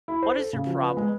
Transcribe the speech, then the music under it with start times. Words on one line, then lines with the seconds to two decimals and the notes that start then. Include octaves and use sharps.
"What is your problem?
0.08 E4
0.22 C5
0.37 A4
0.53 C#3
0.67 F3
0.82 B3
0.97 G#3